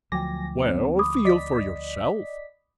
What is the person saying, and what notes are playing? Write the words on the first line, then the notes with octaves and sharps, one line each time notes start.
"Well, feel for yourself."
D2 F3 F#3 G5 G#5 D6 A#6
B3 C4
B5 D6 D#6
D5 D#5 B6